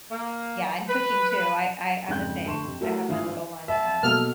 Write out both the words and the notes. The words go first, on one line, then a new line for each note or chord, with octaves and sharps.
Yeah, and cooking too, I I I'm the same. I have my little one, um,
A#3
B4
F2 G#2 C#3 F#6 G6
D2 A5 C6 C#6 E7
F2 C3
F#3 A3 E4 G4 A4 A#4
G#1 G2 E4 F4 F5 D#6
E5 A5
B2 A#3 A4 F6